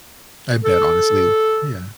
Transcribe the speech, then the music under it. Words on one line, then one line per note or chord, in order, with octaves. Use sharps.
I bet, honestly. Yeah.
A4